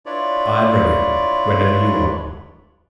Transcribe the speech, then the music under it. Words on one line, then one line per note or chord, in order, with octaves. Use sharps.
"I am ready, whenever you are."
D4 E4 F4 B4 C#5 D5